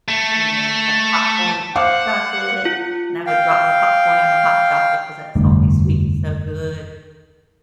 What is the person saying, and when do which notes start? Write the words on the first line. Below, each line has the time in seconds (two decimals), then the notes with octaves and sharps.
and then have popcorn and hot chocolate. And I would drop my popcorn in my hot chocolate because that salty sweet was so good.
0.08 A3
1.75 C5 F5 F#5 D6
2.65 F4
3.26 F5 G5
5.36 F1 D2 G2